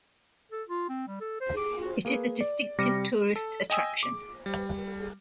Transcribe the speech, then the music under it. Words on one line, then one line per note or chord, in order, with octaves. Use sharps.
It is a distinctive tourist attraction.
A4
F4
C4
G3
A4
C5
D6
F#4
A#3 G#4 B4
D5
C3 G3 D6 F6 A#6 C#7
A4
D#5 G5 G#5 D#6 E6
D6
G3